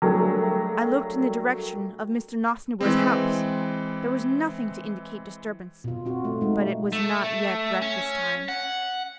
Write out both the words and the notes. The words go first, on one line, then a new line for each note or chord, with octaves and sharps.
I looked in the direction of Mr. Nosnibor's house--there was nothing to indicate disturbance, but it was not yet breakfast time.
F#3 G3 A3 A#3 D4 G#4
E3 G#3 C4
B2 F4
C4 F4 F#4
A3
G#3 D#4
A3
C#4
F#5